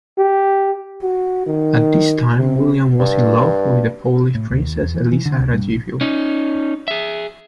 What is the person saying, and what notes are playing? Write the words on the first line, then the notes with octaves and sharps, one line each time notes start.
At this time, William was in love with the Polish Princess Elisa Radziwill.
G4
F#4
D#3
C3
G2
A2
D2
D#2
E2
E3
E3
D3
C#2
G2
A1
C#4 D#4
G#4 E5